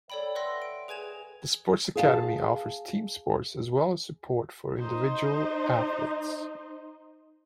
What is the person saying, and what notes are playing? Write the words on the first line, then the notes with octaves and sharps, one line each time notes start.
The Sports Academy offers team sports as well as support for individual athletes.
A4 C#5 D5 G5 B5
B4 E5 F#5 C6 E6 A#6
D7
G#4 B4 G#5 G#6 E7 F7
G#4 F5 F#5 A5
D#4 C5 D#5